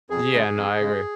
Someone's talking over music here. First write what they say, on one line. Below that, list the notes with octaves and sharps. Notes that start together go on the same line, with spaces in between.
Yeah. No, I agree.
F2 G#4
C#3 G#3
F2
C#3 G#3